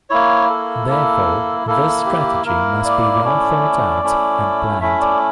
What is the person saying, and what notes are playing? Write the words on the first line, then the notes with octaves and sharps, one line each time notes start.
Therefore, this strategy must be well thought out and planned.
A#3 E4 C#5
A4
A#3 E4
A#3 E4 A4
G4
A#3 E4 A#4
D5
A3 C#4 E4
A3 C#4 E4
A3 C#4 E4 E5
D5